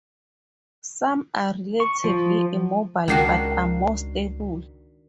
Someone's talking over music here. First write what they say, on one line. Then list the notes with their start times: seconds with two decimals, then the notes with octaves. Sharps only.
Some are relatively immobile, but are more stable.
1.80 C#6
2.04 F3
3.08 C#2 D#3 D4 F#4 C7